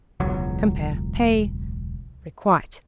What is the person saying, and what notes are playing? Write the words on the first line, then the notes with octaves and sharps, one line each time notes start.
Compare PAY; REQUITE.
E1 C#2 F#3